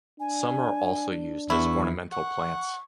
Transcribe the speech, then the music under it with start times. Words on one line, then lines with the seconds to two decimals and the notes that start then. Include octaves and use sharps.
Some are also used as ornamental plants.
0.20 D4 G#5
1.50 E2 E4 C#6
2.12 F#5 C#6